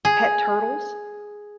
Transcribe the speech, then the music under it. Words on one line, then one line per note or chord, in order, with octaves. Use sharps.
pet turtles
G#4